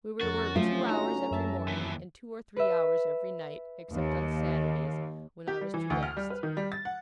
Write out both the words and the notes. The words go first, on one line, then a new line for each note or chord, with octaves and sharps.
We were to work two hours every morning, and two or three hours every night, except on Saturdays, when I was to rest.
G1 F2 C#4 F#4 A#4 A6
F3 F#3 A3 F4
D#4 F#4 A#5
F#2 E5 A5
D#2 E3
B4 E5
D#2
G4
G3
E3
D2
F6
G3
B4
D#3
G3
A6
F#5